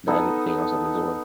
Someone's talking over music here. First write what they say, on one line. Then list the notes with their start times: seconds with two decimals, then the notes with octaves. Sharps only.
That, I didn't think I was gonna enjoy.
0.08 B3 D#4 A4